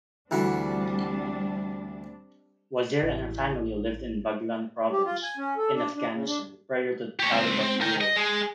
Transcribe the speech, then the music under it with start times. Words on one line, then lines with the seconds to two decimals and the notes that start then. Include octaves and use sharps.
Wazir and her family lived in Baghlan Province in Afghanistan prior to Taliban rule.
0.31 D2 E3 G3 C4 D4 F#4
3.03 A1 E4
4.91 G4
5.05 F4
5.23 G#5
5.37 C#4
5.57 A4
5.74 D4
5.95 D4
6.12 C#3
6.27 D4
7.20 G4 C#5
7.32 C#2 C4
7.61 C4
7.81 A#4 G5
8.01 D#5
8.16 G#3